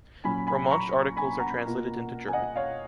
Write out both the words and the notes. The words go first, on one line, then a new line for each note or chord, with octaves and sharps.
Romansh articles are translated into German.
A#2 F#3 C#4 G#5 B5
G#5 B5
A#5 C#6
G#5 B5
F#5 A#5
B2 A#3 F4
G#5
D#5 F#5
C#5 F5